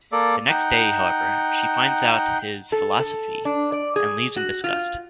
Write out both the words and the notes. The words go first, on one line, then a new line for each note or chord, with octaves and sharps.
The next day, however, she finds out about his "philosophy", and leaves in disgust.
A#3 A4 D5
D#4 F#5 G5
A4
A4
D4
D5
G#4
F#4
F4